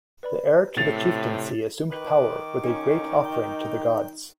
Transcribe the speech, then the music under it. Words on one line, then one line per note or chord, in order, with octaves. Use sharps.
The heir to the chieftaincy assumed power with a great offering to the gods.
B4 D5 B5
A2 C3 A6 F7
D#3 B4 D6
C#4 D#4
G5